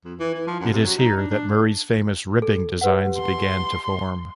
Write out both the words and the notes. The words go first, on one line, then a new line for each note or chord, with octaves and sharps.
It is here that Murray's famous ribbing designs began to form.
F2
E3
E3
F3
F#2
C3
F#3
D#4
D4
D4
A4
G4 B4 F#5
C6